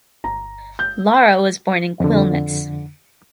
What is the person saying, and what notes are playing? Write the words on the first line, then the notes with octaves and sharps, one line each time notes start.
Lara was born in Quilmes.
G1 A#5
G6
F2 D3